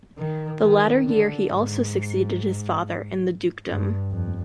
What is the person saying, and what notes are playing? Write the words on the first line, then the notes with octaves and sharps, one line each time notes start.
The latter year he also succeeded his father in the dukedom.
D#3
D#3
D3
G#2
G2
F2